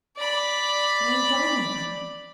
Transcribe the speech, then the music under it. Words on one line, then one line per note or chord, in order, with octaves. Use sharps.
But I am dying of hunger.
D5 B5